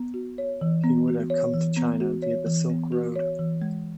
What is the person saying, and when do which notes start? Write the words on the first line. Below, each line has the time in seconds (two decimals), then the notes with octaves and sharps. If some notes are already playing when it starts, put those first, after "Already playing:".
He would have come to China via the Silk Road.
Already playing: B3
0.14 F#4
0.38 C#5
0.61 E3
0.84 B3
1.08 F#4
1.30 C#5
1.54 E3
1.77 B3
2.00 F#4
2.22 C#5
2.46 E3
2.70 B3
2.92 F#4
3.16 C#5
3.39 E3
3.62 G#3